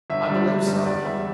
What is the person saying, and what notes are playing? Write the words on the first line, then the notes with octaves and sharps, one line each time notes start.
"I believe so."
G1 E5
G2 G3 D5
G1 E5
G2 G3
E2 D5
E3 G3 E5